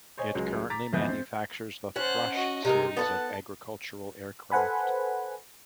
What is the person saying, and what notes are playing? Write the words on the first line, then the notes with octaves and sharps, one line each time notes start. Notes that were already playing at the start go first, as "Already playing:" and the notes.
It currently manufactures the Thrush series of agricultural aircraft.
C5 C#5 D#5 G#5
C#2 F#3 G#3
A#5 D6 A6 B6
B1 F2 E3 B3 D#5 G6
C4
C#4 C5 F#5 A5 F#6
F#4 D#5
C3 G#3 D#4 A#4
B3 A4 F#5 A5
A4 B4 C5 F#5 G#5 B5